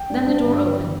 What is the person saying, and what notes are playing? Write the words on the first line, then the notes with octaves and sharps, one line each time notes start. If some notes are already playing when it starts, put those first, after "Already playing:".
Then the door opened.
Already playing: G5
G2
G2
D3
G2